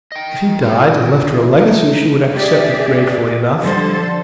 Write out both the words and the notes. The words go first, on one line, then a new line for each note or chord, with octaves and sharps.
If he died and left her a legacy she would accept it gratefully enough.
D#5 G5
F4 A#4
E3
A3 D#4
G4 G#4 D5 E5
D3 F3 G3 A4 C5